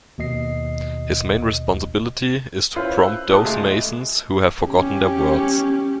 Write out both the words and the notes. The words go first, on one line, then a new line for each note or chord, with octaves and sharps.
His main responsibility is to prompt those masons who have forgotten their words.
D#2 B2 D#5 C7
C#4 E4 F4 B4 C5
E6 F#6
A#2 F4 A5 D6 D#6 F#6
C#2 G#3 A3 C6
C#4 G4